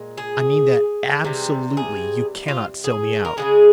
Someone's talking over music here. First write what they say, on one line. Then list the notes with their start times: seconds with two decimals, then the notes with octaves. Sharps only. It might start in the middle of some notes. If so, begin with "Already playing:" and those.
I mean that ab-so-lute-ly you cannot sell me out.'
Already playing: A#2 G#3
0.18 G#4
1.24 C3 E3 G3
1.77 G#4
2.48 F4
2.84 G#4
3.25 A#4
3.37 C#3 E3 G#3 G#4